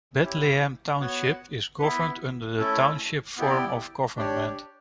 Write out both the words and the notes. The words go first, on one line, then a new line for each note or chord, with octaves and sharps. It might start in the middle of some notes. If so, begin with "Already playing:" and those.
Bethlehem Township is governed under the Township form of government.
C#4 E4 G4
B3 F#4 C#5 F#5
B3 E4 B4
A3 C#4 E4 A4
B3 E4 G4 D5 G5
D4 G4 C#5